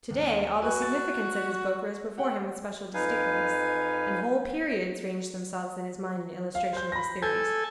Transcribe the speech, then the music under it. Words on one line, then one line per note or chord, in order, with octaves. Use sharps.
Today all the significance of his book rose before him with special distinctness, and whole periods ranged themselves in his mind in illustration of his theories.
D#2
F#4 B4 G#5
A6
G4 F#5 G5
F2 D#4 B4 F5 G#5
F5
C5 G6
B5 A#6
A4 G#5 G6